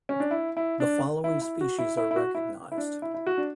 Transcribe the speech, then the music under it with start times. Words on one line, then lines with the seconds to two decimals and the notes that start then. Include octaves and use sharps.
The following species are recognized.
0.09 C#4
0.20 D4
0.31 E4
0.57 E4
0.80 D4
1.24 E4
1.42 E4
1.61 F#4
1.79 E4
1.97 E4
2.11 E4
2.16 F#4
2.35 E4
2.72 E4
2.78 D4
3.02 E4
3.14 E4
3.27 F#4
3.38 D4